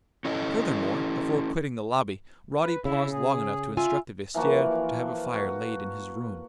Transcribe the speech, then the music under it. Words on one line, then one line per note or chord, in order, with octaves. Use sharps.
Furthermore, before quitting the lobby, Roddy paused long enough to instruct the vestiaire to have a fire laid in his room.
C#4 E4 A4 D#5
B4
C#3 E4
G#4
F4 E5 G#5
E3 F3 A#3 F#4
F#4